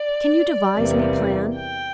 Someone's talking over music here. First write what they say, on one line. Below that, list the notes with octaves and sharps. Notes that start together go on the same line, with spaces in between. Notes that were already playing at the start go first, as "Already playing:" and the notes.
Can you devise any plan?
Already playing: D5
E2 C3 E3 G3 A#3
G5